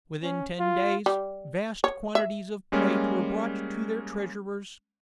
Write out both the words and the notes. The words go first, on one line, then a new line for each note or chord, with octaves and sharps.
Within ten days, vast quantities of plate were brought to their treasurers.
C#4
F4
G3
C#5
E5
G3 G#3 A#3 C#4